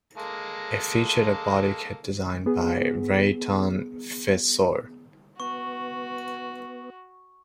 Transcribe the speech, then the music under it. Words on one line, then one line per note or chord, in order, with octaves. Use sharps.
It featured a body kit designed by Rayton Fissore.
G#3 A#3 A4
B3 G#4
B3 F#4 C#6